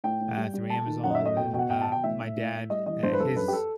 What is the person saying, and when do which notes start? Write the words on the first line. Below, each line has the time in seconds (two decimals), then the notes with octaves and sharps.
ah, through Amazon, then, ah, my dad, eh, his
0.04 A2 G5
0.21 A2
0.37 G3
0.54 G3
0.70 A3 A5
0.87 D#3
1.04 F#2 F#5
1.10 D#5
1.15 E5
1.20 A3
1.25 D#5
1.36 B2 G5
1.53 B2 G5
1.59 F#5
1.70 B2 G5
1.81 A5
1.86 B2
1.92 G5
2.04 A2 E5
2.20 A2
2.36 A2
2.53 A2
2.70 G3 D#5
2.86 E3 D#5
3.03 G2 C5
3.13 B4
3.20 G2 A4
3.36 F#2 B4
3.48 G4
3.53 A4